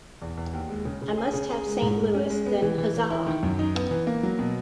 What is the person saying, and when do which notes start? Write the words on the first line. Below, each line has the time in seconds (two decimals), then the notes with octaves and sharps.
I must have Saint Louis-then Huzza!
0.22 E2
0.37 E2
0.53 D#2
0.69 G#3
0.85 C#3
1.02 C#3
1.17 G#4
1.34 C#3
1.50 G#4
1.66 G#3
1.82 G#2
1.98 G#3
2.15 C#4
2.30 G#3
2.46 B3
2.62 E3
2.78 E3
2.94 E3
3.10 E4
3.27 D#3
3.43 F#2
3.59 D#4
3.75 B3
3.91 E3
4.07 A#3
4.23 F#3
4.39 B2